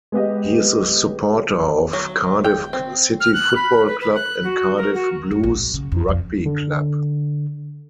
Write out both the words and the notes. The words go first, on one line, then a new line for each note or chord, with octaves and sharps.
He is a supporter of Cardiff City Football Club and Cardiff Blues Rugby Club.
G#3 B3 G4 D#5
F#3
G5
C4
F6
F#6
B5
B4
B4
F#6
F#4
A#4
F#4
F#2
A#1
A#1
C#3
F2
F2
D3